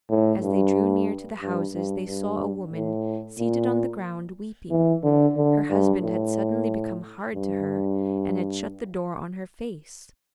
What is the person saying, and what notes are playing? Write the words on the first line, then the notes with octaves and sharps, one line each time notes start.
As they drew near to the houses they saw a woman seated on the ground, weeping; her husband had suddenly become hard to her and had shut the door on her face.
A2
G2
G2
G2
G2
A2
A#2
E3
D3
D3
G2
A2
G2